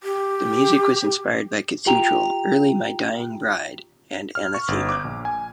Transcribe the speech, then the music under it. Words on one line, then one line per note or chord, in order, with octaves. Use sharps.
The music was inspired by Cathedral, early My Dying Bride and Anathema.
G4
F4 G4 G5 A#5 F7
F6
C#6
G1
D6
A#1
G#5